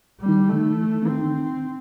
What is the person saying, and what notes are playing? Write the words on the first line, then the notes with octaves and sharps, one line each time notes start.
Mhm. Mhm.
G3
A3
C4